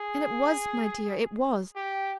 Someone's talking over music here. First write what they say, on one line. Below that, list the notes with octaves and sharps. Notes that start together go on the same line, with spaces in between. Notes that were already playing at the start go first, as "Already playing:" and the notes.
'And it was, my dear, it was!
Already playing: G#4
G4